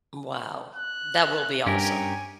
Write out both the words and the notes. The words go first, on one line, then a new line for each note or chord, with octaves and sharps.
Wow. That will be awesome.
F#6
G2 C#4 G4 A#4 G#5